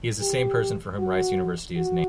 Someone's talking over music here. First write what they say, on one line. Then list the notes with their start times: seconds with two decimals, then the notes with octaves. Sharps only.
He is the same person for whom Rice University is named.
0.21 G4
0.99 F#4
1.76 F#4